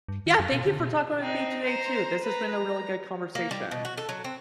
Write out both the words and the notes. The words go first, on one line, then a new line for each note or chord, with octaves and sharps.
Yeah, thank you for talking with me today too. This has been a really good conversation.
G2
D#3
F#2
B2
D3
B2
C4 D#4
C5 A#5
B4 A#5
A#5
A#3
G3
B2
F#4
A4
F#3
C4